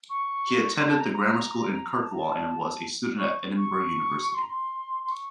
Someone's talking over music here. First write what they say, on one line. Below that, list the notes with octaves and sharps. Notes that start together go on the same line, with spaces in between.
He attended the grammar school in Kirkwall, and was a student at Edinburgh University.
C#6
A#5
A5
A#5
A#5
A#5
A5
A#5
A5
C#6
C#6
C6
A#5
C6
C6
C#6